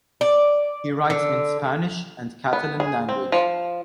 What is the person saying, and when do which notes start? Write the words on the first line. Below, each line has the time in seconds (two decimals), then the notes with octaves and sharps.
He writes in Spanish and Catalan language.
0.21 D5
1.10 D3
2.53 B3
2.80 G#4
3.09 C4
3.32 F3